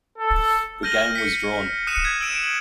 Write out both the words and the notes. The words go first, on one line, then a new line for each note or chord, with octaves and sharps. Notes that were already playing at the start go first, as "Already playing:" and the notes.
The game was drawn.
A4
F6 G6 A#6 D#7 F#7
B6 C#7
D#6 F#6 B6 C#7 D#7 E7
G#6
E6 D7 E7
F#7